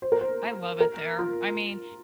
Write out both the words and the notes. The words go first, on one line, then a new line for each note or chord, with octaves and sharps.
I love it there, I mean
C5
A#4
C5
A#4
F4